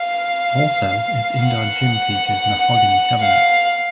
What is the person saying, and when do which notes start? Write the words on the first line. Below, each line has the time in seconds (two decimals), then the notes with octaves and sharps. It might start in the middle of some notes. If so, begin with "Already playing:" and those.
Also its indoor gym features mahogany cabinets.
Already playing: F5
1.43 F#5
3.20 F5